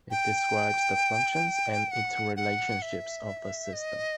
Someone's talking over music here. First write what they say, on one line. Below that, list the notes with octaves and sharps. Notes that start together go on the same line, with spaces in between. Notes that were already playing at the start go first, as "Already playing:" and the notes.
It describes the functions and interrelationships of a system.
G5
F#5
F#5
E5
D#5